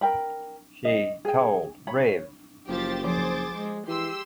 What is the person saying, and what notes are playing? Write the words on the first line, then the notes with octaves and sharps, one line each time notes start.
She told Rev.
A#4 G5 B5
D#5
G#4 G5
C#5 B5
F#1 F3 G4 C5 A6
F3 G#4 C5 D6 A6
G#3
E3 G4 C6 E6